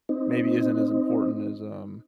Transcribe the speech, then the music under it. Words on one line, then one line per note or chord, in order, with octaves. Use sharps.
maybe isn't as important as, um
C4 D#4